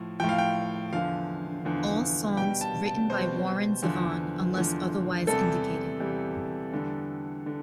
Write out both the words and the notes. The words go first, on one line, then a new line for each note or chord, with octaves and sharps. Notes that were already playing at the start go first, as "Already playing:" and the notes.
All songs written by Warren Zevon unless otherwise indicated.
Already playing: A2 F3
A2 F3 G5
F5
G5
E2 D3 F3 F5
E2 D3 F3
B2 G3 G5
A5
A5
B2 G3 C5
E2 D3 F3
E2 D3 F3
E2 C3 G3 A4
E2 C3 G3
E2 D3 G3
D3